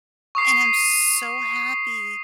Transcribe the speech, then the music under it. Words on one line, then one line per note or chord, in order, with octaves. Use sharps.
and I'm so happy
C#6 D#6 C7